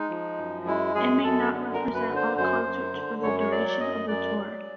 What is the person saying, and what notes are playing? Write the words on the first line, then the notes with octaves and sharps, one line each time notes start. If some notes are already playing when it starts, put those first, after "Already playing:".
It may not represent all concerts for the duration of the tour.
Already playing: G#3 D#4
F3
F#2
G#3 E4
F#2 G#4
F#2 A4
D3
A#4
F#2
B4
D3
C5
F#2 C5
F#2
D3
F#2 C#5
C#5
F#3 D5
D5
F#2 D#5
F#2 D5
F#3